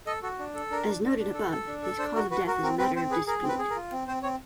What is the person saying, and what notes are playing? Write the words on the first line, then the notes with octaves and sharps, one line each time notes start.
As noted above, his cause of death is a matter of dispute.
A4 D#5
F#4 A4
D4
A4
D4 A#4
D4
D4
D4
A4
A4
D4
A4
D4 C5
F#4 A#4
F#4 B4
F#4 A#4
C4 A#4
C4 B4
C4 C5
G#4 B4
G#4 A#4
C4
B4
G#4
A#4
F4
C4
C4 C5
C4 C#5